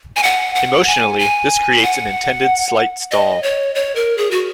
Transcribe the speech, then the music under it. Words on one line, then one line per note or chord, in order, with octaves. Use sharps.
Emotionally, this creates an intended slight stall.
G#5
F#5
F#5
G#5
G#5
F#5
D#5
C#5
C#5
A#4
G#4
F#4